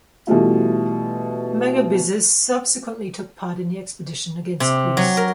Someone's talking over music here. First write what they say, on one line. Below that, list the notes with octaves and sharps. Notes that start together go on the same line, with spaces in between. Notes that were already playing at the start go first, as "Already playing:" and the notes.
Megabyzus subsequently took part in the expedition against Greece.
B2 E3 G3 A3 F4
C3
F#3
A#4